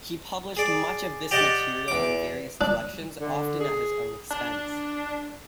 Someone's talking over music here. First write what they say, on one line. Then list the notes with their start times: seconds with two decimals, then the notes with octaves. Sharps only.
He published much of this material in various collections, often at his own expense.
0.57 G#4 D5
1.31 G4 D5 D#5 F#5 A5
1.88 E2 D6
2.61 D4
3.21 D3
3.60 G#4
4.31 D4